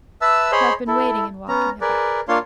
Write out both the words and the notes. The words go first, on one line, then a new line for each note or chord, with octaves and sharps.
So I've been waiting and walking about.
B4 E5 A5 E6
G#4 C5 C#5 D#5 B5 C6
E4 A4
B3 C#4 A#5
G#4 A#4 B4 D5
A#3 D4 F4 C#5 F5 C6